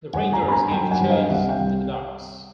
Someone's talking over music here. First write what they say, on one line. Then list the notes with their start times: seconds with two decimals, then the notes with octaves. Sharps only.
The Rangers give chase to the docks.
0.13 G1 F#5 G#5
0.32 G#5 A#5
0.42 G2
0.48 B5
0.52 G#5 A#5
0.71 F#3 G5 A5
0.91 F#5 G#5
1.00 G2
1.10 D#5 F5
1.29 C2 E5 F#5
1.48 F5 G5
1.59 C2